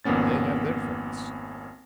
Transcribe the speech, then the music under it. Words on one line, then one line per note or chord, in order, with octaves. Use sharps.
But they have their faults.
G#1 F2 A#3 B3 C#4 A6